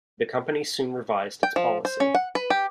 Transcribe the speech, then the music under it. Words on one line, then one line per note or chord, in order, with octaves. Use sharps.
The company soon revised its policy.
G5
F3
C5
C#4
F#5
B4
G4